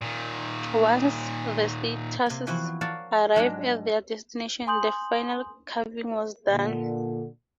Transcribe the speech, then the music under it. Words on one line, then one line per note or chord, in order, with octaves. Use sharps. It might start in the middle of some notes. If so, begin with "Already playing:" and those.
Once the statues arrived at their destination, the final carving was done.
A#2 D#3
C3 A#3
E3 F3 B3 C4 E4 F#4
A#4 C#5 D5 F5 F#5 A5
G#2 F#3 G#3 D4
G#5 C6 D#6 G6 F#7
A#2 D3